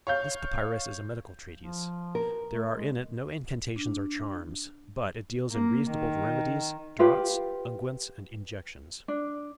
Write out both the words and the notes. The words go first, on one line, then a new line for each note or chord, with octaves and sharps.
This papyrus is a medical treatise; there are in it no incantations or charms; but it deals in reasonable remedies, draughts, unguents and injections.
C#5 F5 G6
F3
A#4
A3
G#3
D4
A#3
D#3
F4 G4 B4 F5
D4